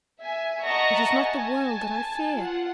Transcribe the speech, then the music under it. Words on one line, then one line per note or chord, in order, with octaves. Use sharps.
It is not the world that I fear!
E5 G#5
D#5 E5 F#5 A5 A#5 C#6
G#5 A5
F4 F#5